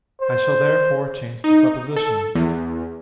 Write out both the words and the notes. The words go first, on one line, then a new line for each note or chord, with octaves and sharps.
I shall therefore change the suppositions.
C5
D#4
A4
E2